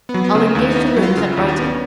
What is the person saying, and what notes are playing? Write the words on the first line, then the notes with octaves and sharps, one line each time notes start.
I'll engage the rooms at Brighton.
B3
F#3
B3
C#3
A#3
D#2 E4
D#4
B3
E4
F#3
F4
C#3 F4
E4
D#2
D4
B3 C#4